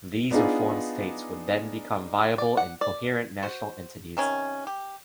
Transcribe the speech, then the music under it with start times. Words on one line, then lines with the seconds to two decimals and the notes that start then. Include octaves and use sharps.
These reformed states would then become viable and coherent national entities.
0.31 B3 D4 D#4 F4 G#4
2.38 D5
2.57 F#5
2.81 D5
3.43 F#4 C5
4.17 C3 D#3 C#4
4.67 G4